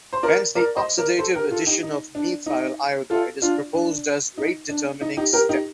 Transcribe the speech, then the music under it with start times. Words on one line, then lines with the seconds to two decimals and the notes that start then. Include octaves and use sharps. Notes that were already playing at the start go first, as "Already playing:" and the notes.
Hence the oxidative addition of methyl iodide is proposed as rate-determining step.
0.13 C5
0.23 A#4 D5
0.55 A#4 D5
0.77 C5 D#5
0.98 A#4 D5
1.19 A4 C5
1.35 G4 A#4
1.50 F4 A4
1.67 D#4 G4
1.83 D#4
2.15 D4
2.46 D#4
3.10 F4 A4
3.42 D4 F4
3.74 D4
4.38 D#4
4.69 D4
5.01 D#4
5.17 D#4 G4
5.33 G4 A#4
5.49 D#4 G4